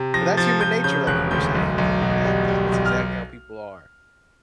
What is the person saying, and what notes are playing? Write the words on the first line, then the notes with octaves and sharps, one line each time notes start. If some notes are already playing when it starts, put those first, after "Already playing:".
But that's human nature, like you were saying, that's that's exactly how people are.
Already playing: C3
F3 A#6
F3 A6
F3 G6
C#3 G6
E1 F#6
D2 G6
B1
B1
B2
G3
G3
B1
F6